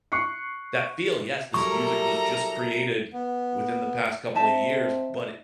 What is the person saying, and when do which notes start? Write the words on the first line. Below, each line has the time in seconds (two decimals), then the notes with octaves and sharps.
that feel, yes, this music was just created within the past couple a years, but it
0.12 C#6 F#6 C7 C#7
1.54 F#3 G3 E4 A4 A#4 A#5 C#6
3.13 B3
4.35 C4 D#4 E5 A5